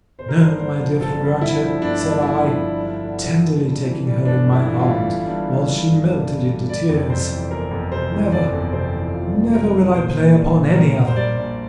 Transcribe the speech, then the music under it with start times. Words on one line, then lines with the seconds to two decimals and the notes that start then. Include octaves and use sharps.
"No, my dear Fragrantia," said I, tenderly taking her in my arms while she melted into tears; "never, never, will I play upon any other----!"
0.19 G1 C5
0.29 A#4
0.39 G2 C5
0.59 D3 C5
0.81 F3
1.01 G1 A4
1.21 G2
1.41 D3 E4
1.62 F3
1.81 G1 D4
2.01 G2
2.22 D3 E4
2.42 F3
2.63 G1
2.83 G2
3.04 D3
3.23 F3
3.44 G1
3.65 G2
3.85 E3
4.05 G3
4.25 G1 D4
4.46 G2
4.53 E4
4.66 E3
4.79 F4
4.86 G3
5.06 G1
5.27 G2
5.48 E3
5.67 G3
5.88 G1
6.08 G2
6.28 E3
6.49 G3
6.69 G1 D5
6.89 F2
7.09 C3 C5
7.30 E3
7.50 G1 A#4
7.71 F2
7.92 C3 C5
8.11 E3
8.31 G1 D5
8.52 F2
8.72 C3 C5
8.93 E3
9.13 G1 F4
9.33 F2
9.53 C3 A#4
9.74 E3
9.94 A#1 C5
10.14 A#2
10.34 G3
10.55 A#1
10.75 A#1 A#4
10.95 A#2
11.07 C5
11.16 G3 D5
11.37 A#1